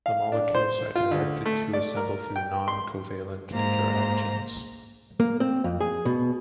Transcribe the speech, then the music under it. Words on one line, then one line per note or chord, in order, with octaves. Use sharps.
The molecules are directed to assemble through noncovalent interactions.
F5
D4
C5
F4
D2
A3
D5
A#4
G5
C6
G#2 A#3 C5 A#5
A#3
C4
F2
G#4
B2